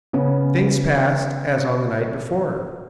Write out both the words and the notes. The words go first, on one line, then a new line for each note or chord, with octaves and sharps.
Things passed as on the night before.
C#3 B3 C#4